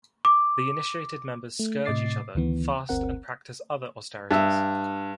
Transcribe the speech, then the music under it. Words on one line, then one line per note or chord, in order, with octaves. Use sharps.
The initiated members scourge each other, fast, and practice other austerities.
D6
A3
A2 C3 D#5 D6 A6 C7
D2 D#3 E3 B3
G1 D2 C4 A#4 F#5
G2 E5